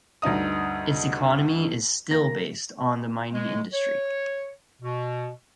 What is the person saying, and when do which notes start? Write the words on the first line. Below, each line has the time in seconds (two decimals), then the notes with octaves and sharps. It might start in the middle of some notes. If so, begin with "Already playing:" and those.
Its economy is still based on the mining industry.
0.22 D2 G2 D#4 D#5 D#6
2.10 A#3 A#6
3.33 G#3
3.73 C#5
4.82 B2